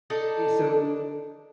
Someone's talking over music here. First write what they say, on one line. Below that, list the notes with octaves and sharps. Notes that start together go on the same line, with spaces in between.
So, i
D4 D#4 A4